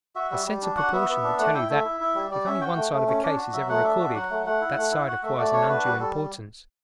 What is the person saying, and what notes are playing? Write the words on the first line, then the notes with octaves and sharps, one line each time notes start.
A sense of proportion would tell you that, if only one side of a case is ever recorded, that side acquires an undue importance.
F#4 E5
G3 E5
G3
D4
F#4 F#5
B3 E5
B3
D4
A3 F#5
E4 G5
A3 E5
E4
E4
G3
G3 D5
C#4 E5
F#4 G5
A3
A3
C#4
D4
F#4
F#3 E5
A3 F#5
D4 E5
F#4
F#3 F#5
A3
A3 F#5
E4
A3
E4
F#4 F#5
A3 E5
A3 D5
D4 C#5
F#4 B4
G3
G3 A4